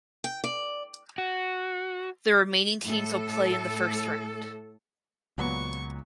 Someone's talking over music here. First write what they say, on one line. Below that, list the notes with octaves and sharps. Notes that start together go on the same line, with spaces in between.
The remaining teams will play in the first round.
G5
D5
F#4
A2 A4
C#2 A#2 F#3 B3 C#6